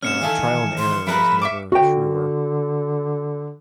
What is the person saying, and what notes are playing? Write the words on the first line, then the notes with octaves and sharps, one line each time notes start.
uh, trial and error was never truer
C3 A#3 C#4 F6 C#7 E7
D#3 E3 D#4 A4 E5 F5 G#5
C6
F3 E4 G#4 A#4 B4 A#5 B5
E5 C#6 D6
D3 F#4 G5